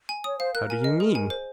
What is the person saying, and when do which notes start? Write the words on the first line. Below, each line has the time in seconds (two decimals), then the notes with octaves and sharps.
How do you mean?
0.09 G#5
0.24 C#5 D#6
0.39 C5 F5
0.54 A#4 F#6
0.70 G#5
0.84 D#5
1.00 G#4
1.15 G#5
1.30 C5